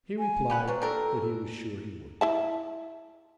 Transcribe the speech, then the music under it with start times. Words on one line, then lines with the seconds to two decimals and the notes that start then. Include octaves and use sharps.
He replied that he was sure he would.
0.19 G#5
0.50 G4 B4 F#5
0.68 F3 F#3 B4
0.82 D4 G4 A4 A#4
2.21 E4 E5 A5